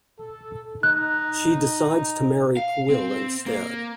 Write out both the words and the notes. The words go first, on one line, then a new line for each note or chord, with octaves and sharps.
She decides to marry Pwyll instead.
A4
D#4 F#6
F5
C4
A#3